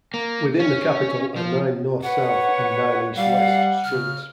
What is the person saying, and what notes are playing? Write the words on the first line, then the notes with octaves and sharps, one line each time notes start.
Within the capital are nine north-south and nine east-west streets.
A#3
C#4
F3
B4 C#5 F#5
G3 F5 F#5
C#3 F6